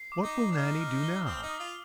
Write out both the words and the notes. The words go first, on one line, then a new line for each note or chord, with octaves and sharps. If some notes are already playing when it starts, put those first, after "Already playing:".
What will Nannie do now?
Already playing: C7
D6
D#4
D6
D4
D#4 F6
F6
G7
C4 D#6
D#4
D#6
F4